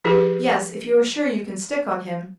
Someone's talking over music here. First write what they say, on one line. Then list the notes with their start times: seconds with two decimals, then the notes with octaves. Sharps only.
"Yes, if you are sure you can stick on him."
0.04 F3 E4 G4 G#4 B4